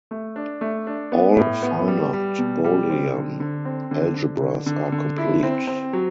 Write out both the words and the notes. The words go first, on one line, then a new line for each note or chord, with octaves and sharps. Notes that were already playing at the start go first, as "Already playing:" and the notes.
All finite Boolean algebras are complete.
A3
D4
A3
D4
B3
A2
B3
G3
G3
B2
G3
C4
D3
D3
C4
D3
D3
D3
D3
D3
E4
C4
C4
F#3